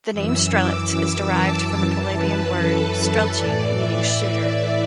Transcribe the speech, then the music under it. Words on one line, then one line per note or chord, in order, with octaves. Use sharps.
The name "Strelitz" is derived from the Polabian word "Strelci", meaning "shooter".
F#2 E3 E6
D6
A5
F#2 E3
B4
A4
B4
A2 E3 D5
E5